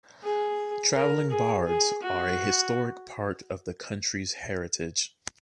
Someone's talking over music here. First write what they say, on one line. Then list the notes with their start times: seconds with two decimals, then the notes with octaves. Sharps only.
Travelling bards are a historic part of the country's heritage.
0.23 G#4
0.95 A#4
1.31 G#4
1.66 G#4
2.03 F#4